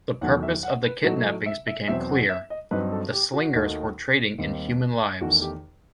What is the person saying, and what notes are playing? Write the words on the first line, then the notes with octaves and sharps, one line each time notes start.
The purpose of the kidnappings became clear: the Slingers were trading in human lives.
E2 D#3 F#3 A3 F#5
E5
F#5
B4
A2 F#3 A3 D#4 F#4
E5
E5
E2 B2 F#3 C4 E5
F#5
E5
D#5
G2 F#3 C4 D#4 B4
A4
G4
F#4
D#2 D#3 A3 D#4
D#2 D#3 G3 C4 D#4
E2 D#3 A3 F#4
G4